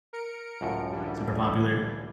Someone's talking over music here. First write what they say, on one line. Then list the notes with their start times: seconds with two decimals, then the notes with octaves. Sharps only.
Super popular.
0.13 A#4 C#7 D7
0.61 C#2 F#2 A2
0.92 D3 E3 G3